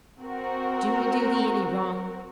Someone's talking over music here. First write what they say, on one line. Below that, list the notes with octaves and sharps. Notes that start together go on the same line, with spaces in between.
Do we do thee any wrong?
C4 F#4 A#4